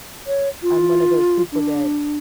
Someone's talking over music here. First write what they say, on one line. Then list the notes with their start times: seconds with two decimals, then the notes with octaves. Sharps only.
I'm one of those people that
0.27 C#5
0.63 F4
1.52 D4